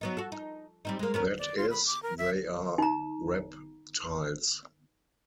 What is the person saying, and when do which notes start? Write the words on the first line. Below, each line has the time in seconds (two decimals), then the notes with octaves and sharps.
That is, they are rep-tiles.
0.01 F#3 B3 D#4
0.17 F#4 A4
0.32 D#4
0.85 G3 C4 D#4
0.99 G#3 A#3
1.14 B3 C#4 A#4
1.38 D5
1.57 F4
1.71 B5
1.87 D6
2.03 A#4
2.18 E5
2.78 D#4 A#5